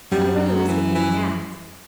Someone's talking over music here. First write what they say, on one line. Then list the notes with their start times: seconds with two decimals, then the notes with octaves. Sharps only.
I run the risk of being nabbed.
0.12 F#2 G3
0.39 F#3
0.68 E3
0.95 E3